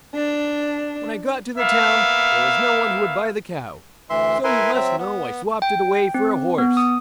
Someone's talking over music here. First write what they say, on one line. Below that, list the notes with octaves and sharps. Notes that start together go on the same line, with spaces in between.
When I got to the town there was no one who would buy the cow, so you must know I swopped it away for a horse.'
D4
A#3 B3 E5 F5
D2 E3 E5 C6
E4 A#4 B4 E5 G#5 C6
F#3 C4 E5
B3
G5
C4
B3
D#6